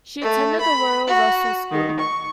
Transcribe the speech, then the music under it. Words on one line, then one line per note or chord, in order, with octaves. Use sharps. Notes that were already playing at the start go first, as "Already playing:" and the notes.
She attended the Royal Russell School.
A3
B5
F#4
D#3
C#6